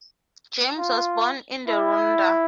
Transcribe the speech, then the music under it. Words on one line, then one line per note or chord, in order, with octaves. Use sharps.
James was born in the Rhondda.
F4
E4